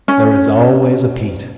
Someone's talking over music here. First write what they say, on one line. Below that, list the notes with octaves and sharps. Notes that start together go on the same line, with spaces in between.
There is always a Pete.
C#4